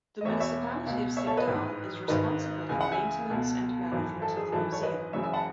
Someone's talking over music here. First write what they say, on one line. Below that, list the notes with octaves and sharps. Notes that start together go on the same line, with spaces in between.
The municipality of Sigdal is responsible for maintenance and management of the museum.
D#5
E1 E2 B2 C#5 E5
C#5 E5
C#2 B2
C#5 E5
A4 C#5
B4 D#5
A1 G#2 E3
G#1 G#2 D#3 B4 D#5
C#2 C#3 E3 G#5
F#5
E5 G#5
C#2 B2 A4
G#1 F#2 E3
A4
G#4
G#1 F#2 E3 A4
A4 C#5
B4 D#5
F#1 F#2 C#3 E3 C#5 E5
E5 G#5
F#5 A5